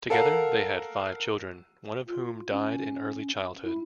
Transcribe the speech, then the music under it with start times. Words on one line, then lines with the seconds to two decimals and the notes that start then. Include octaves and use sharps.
Together, they had five children, one of whom died in early childhood.
0.10 A4 A#4 F5 F#5
2.07 F4
2.51 C#4
3.64 E4